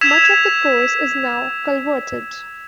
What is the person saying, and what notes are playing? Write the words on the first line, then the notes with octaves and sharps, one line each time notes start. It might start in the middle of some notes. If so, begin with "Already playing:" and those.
Much of the course is now culverted.
E6 G#6 B6 E7 F7